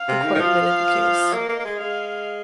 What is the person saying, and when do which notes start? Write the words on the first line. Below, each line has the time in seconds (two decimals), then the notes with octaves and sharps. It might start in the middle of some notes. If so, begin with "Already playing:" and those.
The court admitted the case.
Already playing: F5
0.08 C3
0.24 D#3
0.35 D#3
0.39 F3 F5
1.33 A#3 D#5
1.49 A#3
1.59 A#3
1.65 G#3
1.79 G#3 F5